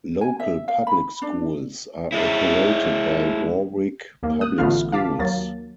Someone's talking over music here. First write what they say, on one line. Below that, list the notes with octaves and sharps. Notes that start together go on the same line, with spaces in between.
Local public schools are operated by Warwick Public Schools.
G#5
E5
F5
B5
D4
G#3 E4
D#2 A#3
D#6 F#6
A1 D3 A3 B3 F4 F6
F5 A5 D6 B6
D#2 F#3 A#3 A6